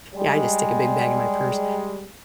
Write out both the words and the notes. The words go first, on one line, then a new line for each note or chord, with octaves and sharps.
Yeah, I just stick a big bag in my purse,
G3 G#3